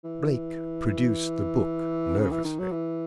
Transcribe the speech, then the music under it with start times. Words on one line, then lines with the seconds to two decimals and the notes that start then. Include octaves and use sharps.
Blake produced the book nervously.
0.04 E3
2.18 C#3
2.31 E3
2.44 D#3
2.59 F#3
2.71 E3